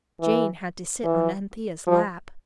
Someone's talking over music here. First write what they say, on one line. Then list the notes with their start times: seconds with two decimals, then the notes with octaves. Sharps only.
Jane had to sit on Anthea's lap.
0.21 E3
1.04 E3
1.87 F3